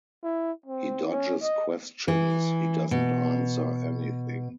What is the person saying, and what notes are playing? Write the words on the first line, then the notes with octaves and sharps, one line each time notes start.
He dodges questions, he doesn't answer anything.
E4
C4
C#4
D#5
E3
B2